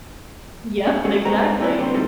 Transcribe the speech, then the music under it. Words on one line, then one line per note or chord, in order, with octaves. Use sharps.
Yep, exactly,
C#4
G#3 B3 C#4 F#4 G#4 A4
A2 G#3 A3 C4 B4 A#5
C4 C#4 E4 B4 D5
D3 G3 C4 C6
C3 G3 C4 D#4 F#4 A4